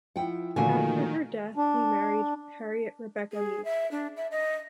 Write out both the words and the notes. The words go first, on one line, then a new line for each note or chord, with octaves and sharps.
After her death, he married Harriet Rebecca Meek.
F3 E4 F#5 G5
A#2 D3 D#3 F3 A3 A#3 F#4 G#5
D4
G#4
E5
D4
E5
D#5